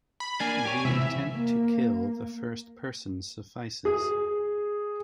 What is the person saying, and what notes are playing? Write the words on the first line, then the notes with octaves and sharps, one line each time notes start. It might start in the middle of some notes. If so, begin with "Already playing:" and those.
The intent to kill the first person suffices.
B5
A#3 D4 G#5
G4 C#5
G#2 C3 E3 E5
A#3
G#4